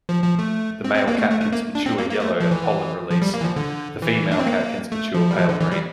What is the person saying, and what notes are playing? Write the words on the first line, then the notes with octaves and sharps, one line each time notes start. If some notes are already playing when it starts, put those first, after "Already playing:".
The male catkins mature yellow at pollen release, the female catkins mature pale green.
F3
F3
A3
C4
C4
A#3
A3
A3
A3
A#3
D4
C4
A#3
A#3
A3
F3
E3
F3
G3
A#3
E3
F3
D3
E3
D4
C4
A#3
A3
F3
G3
F3
D3
E3
G3